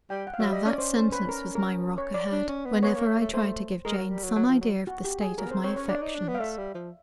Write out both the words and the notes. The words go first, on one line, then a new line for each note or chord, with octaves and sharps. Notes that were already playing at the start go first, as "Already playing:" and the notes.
Now that sentence was my rock ahead, whenever I tried to give Jane some idea of the state of my affections.
G3 G5
F#5
F5
F#3 E5
G3 D#5
C#4 D5
C#4 C5
C5
B4
A#4
A#4
C#5
D5
D4
C#4
B3
B3 C#5
A#3
A3
A3
A3 C5
G#3 A#4
F#3
G3
F#3
F#3
F3
F#3
F#4
G4
G#4
F#3 A#4
B3
C4 C5
C4 C#5
C#4 C#5
D4 D5
D#4
D4
B3
F5
A3 E5
G3
F3